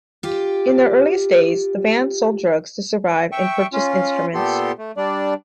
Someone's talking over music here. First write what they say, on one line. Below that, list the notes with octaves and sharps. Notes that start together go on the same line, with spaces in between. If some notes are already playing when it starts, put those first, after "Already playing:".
In their earliest days, the band sold drugs to survive and purchase instruments.
F4 G4
E5 G5 C#6
C#4 F4
A#2 B3 G4 A4 C6
A3
G3 D4 D5